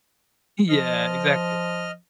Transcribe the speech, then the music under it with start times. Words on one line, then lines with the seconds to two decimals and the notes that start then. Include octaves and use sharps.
Yeah, exactly.
0.69 F3 D#5 F6